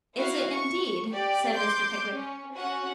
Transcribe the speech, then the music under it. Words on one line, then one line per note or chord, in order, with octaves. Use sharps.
'Is it, indeed?' said Mr. Pickwick.
E4 F#4 F5
C#6
G4 D5
C6 D6 G6
C#4
C#4 F#4 F#5